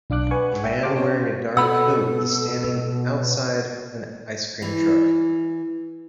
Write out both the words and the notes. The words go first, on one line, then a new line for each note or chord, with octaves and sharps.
A man wearing a dark coat is standing outside an ice cream truck.
B1 D4 F5 D6 F#6
B4 F#5 G#5 C#6
E5 G5
G4 F5 A5 C6 D6
C#4 C5 C#5
B2 A4 F#5 B5 E6
E3